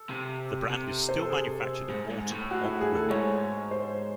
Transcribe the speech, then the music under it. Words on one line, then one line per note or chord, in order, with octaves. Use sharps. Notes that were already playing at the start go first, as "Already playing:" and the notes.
The brand is still manufactured at Moreton on the Wirral.
Already playing: A4
C3
C3
C5
A4
G#4
G#2
G#2
A2
F#4
E4
G#4
A4
G#2 C#5
C5